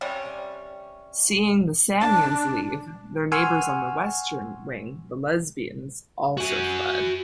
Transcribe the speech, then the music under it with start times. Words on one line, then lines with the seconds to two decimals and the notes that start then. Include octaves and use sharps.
Seeing the Samians leave, their neighbours on the western wing, the Lesbians, also fled.
0.01 C3 G3 C#4
2.01 D4 A5
3.32 F#5 G#5 C6 C#6 E6 F6
6.38 F#4 G#5